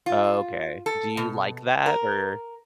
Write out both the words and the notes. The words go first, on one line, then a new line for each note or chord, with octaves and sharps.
Oh, okay. Do you like that? Or
F4
A4
B2
A#4